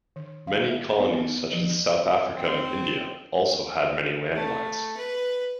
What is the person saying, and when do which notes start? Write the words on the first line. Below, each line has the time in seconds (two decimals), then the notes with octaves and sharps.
Many colonies such as South Africa and India also had many land lines.
0.16 D#3
0.47 F5
0.69 E5
0.99 B3
1.14 B3
1.53 F3
2.36 C4
4.35 A3
4.97 B4